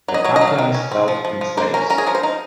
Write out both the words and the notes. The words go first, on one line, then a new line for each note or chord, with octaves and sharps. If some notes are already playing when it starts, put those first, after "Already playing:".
The Taphians dealt in slaves.
F#3
D#5
F#3 C#5
D#5
F#3
F5
D#3
C#4
C4
F3
F3
F3
A#3 C5
C#4 A#4
C#4 A#4
G#4
F3 A#4
C5
D#4 A#4